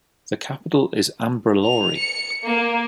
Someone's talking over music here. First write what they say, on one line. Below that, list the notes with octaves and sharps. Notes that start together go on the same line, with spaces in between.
The capital is Ambrolauri.
F7
C#7
A#3